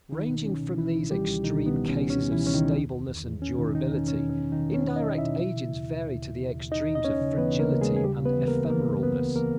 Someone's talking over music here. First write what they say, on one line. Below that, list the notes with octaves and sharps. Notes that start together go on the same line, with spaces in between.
Ranging from these extreme cases of stableness and durability, indirect agents vary to the extremes of fragility and ephemeralness.
C#2 D#3 D#4
B2
C#2 C#4
B2
C#2 E3 E4
C#2
C#2 G3 G4
C#2
B2 D#3 D#4
C#2
B3
C#2
C#4
B2
C#2 C#4
B2
E3 E4
C#2 C#4
D#3 D#4
C#2
E2
E2
E2
E2
E2 C#4
B2 D#3 D#4
E2 D#3 D#4
E2 C#4
B2 C#4
E2
C#4
E2
D#3 D#4
E2
E2 C#4 C#5
E2
D#4 D#5
B2
E4 E5
B2
E3
C#3
D#2
D#2
D#2
D#2
D#2
D#2
D#2 D#4 D#5
D#2
D#5
D#2 C#4 C#5
C#3
E3 B3 B4
C#3
A#3 A#4
C#3
G#3 G#4
D#2
G#4
C#3 G3 G4
C#3
B3 B4
E3
A#3 A#4
C#2
E3 A#3 A#4
C#3
C#2 B3 B4
C#2
E3 A#3 A#4